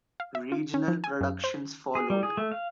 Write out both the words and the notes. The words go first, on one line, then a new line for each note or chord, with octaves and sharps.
Regional productions followed.
F5
E5
F4
C#4
F3
G#5
F#2
C5
G#4
G3
G#4
A3
F5